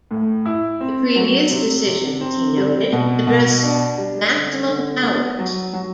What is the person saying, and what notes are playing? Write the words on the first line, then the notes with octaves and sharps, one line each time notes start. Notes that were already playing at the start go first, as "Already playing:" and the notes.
The previous decisions, he noted, addressed maximum hours.
A2
E4
C4
F#3
C3
C3
C4
G3
B2
B2
D4
G3
D3
D3
B3
F#3
F#3